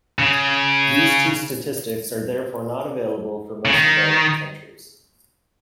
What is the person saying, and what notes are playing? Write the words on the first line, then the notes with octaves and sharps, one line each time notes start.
These two statistics are therefore not available for most developing countries.
C#3
C#3
D#3